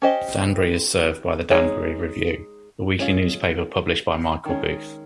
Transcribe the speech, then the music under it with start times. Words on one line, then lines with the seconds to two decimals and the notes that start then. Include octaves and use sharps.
Danbury is served by "The Danbury Review", a weekly newspaper published by Michael Buth.
0.02 C#4 G4 C5 D#5
1.51 G#3 D#4 G#4 C#5
2.99 G#3 C#4 F4
4.45 D#3 G#3 C#4